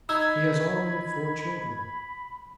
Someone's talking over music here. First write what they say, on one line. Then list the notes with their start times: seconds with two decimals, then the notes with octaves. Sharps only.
He has already four children.
0.09 D#4 B5 E6 G#6